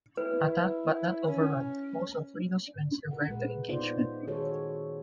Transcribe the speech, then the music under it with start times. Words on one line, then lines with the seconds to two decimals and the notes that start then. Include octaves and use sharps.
Attacked but not overrun, most of Reno's men survived the engagement.
0.17 E4 B4
1.28 C#4
3.11 A#4 F#5
3.28 A#2 G#3 B4
3.68 B3 D#4 F4 C5 D5
4.27 D#3 A3 F#4 G#4 A4 C#5